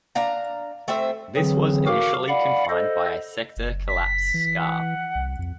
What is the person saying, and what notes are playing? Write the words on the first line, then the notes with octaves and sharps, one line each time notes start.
This was initially confined by a sector-collapse scar.
D4 F5 A#5
A3 C4 C5 E5
D3 E3 F#3 C4 G#4
F#4 A#4 F5 D6
D5 F5 F#5 B5
A4 C5 D#5
F#1
B6
E3
F#5
C2
F2